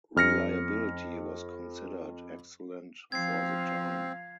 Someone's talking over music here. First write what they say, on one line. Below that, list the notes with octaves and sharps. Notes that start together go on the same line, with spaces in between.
Reliability was considered excellent for the time.
F2 F6 A#6 C#7
F3 C4 F5 G#6 C7